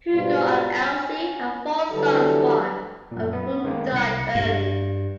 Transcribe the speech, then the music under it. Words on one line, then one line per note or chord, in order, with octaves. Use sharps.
Hugo and Else had four sons, one of whom died early.
G#2 B2 G3 F4
C#4
D3 E3 F#3 G3 G4 A4
F#2 A#2
B3
D#3 G#3 A#3 B3
C2 C#7
G2